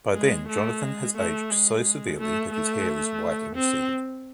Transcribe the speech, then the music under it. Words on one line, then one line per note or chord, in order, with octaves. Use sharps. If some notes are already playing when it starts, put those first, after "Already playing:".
By then, Jonathan has aged so severely that his hair is white and receded.
G#3
A3
G#3
A3
G#3
A3
A3
C4